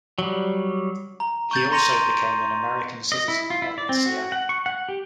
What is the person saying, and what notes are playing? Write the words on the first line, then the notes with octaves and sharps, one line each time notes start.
He also became an American citizen while in Seattle.
F#3 G3
A#5
C#6 G6 A6
A#5 C6 A#6 C#7 D#7 F7
D#5
E4
F4
E4
D5
C4
F#4
F#5
C#6
F#5
G4